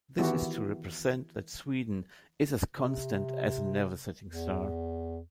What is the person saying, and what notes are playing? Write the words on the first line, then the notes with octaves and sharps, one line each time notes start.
This is to represent that Sweden is as constant as a never setting star.
D#3 E3 B3 E4 F#4 G4
C3
E2